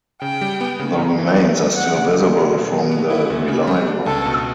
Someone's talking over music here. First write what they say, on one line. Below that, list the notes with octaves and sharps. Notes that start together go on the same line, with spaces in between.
The remains are still visible from the Rely road.
C#3 G5
G3
B3
C#3
G2
E3
A3
D4
E2 F#5
C#3
E3
E2
B2
F#3
B3
E4
D2
C#3
G3
D4
C#2 A4
B2